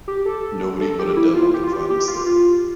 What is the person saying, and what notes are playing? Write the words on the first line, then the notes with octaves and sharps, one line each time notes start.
Nobody but a devil can find us there.
G4
A4
A4
G4
E4
F4
G4
F4
G4
G4
F4
F4